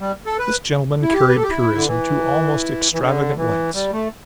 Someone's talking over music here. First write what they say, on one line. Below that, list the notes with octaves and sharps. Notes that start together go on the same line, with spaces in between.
This gentleman carried purism to almost extravagant lengths.
G3
A4
B4
E4
G4
B4
A4
G4
E4
D3
E3
E3
D3
E3
G3
A3